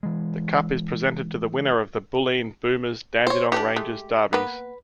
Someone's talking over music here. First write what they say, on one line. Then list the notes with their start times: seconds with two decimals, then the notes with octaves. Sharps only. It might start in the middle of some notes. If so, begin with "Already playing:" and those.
The cup is presented to the winner of the Bulleen Boomers-Dandenong Rangers derbies.
0.03 E3 G#3
3.27 C5 C#5
3.52 E3 A3 D4 G4
3.76 G#3 A3
4.33 A#3 B3 B4